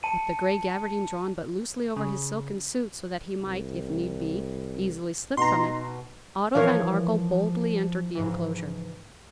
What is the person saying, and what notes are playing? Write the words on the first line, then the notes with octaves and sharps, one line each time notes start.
With the gray gabardine drawn but loosely over his silken suit, so that he might, if need be, easily slip from it, Otto von Arkell boldly entered the inclosure.
A5 C#7 D#7
C#3
C2
B2 D#4 A#5 C6
E3 F3 E4 A#4 C#5 F5
G#2 C#3 E3